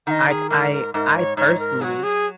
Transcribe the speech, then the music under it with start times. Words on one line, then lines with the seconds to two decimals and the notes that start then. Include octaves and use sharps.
I ca I I personally,
0.07 D#3 D#5 F#5
0.29 G#4
0.50 G#2 A#4
0.72 A#4
0.94 G#2 A#4
1.16 C#5
1.37 G#2 C#5
1.60 A#4
1.81 F#3 F#4 G#4
2.03 G#4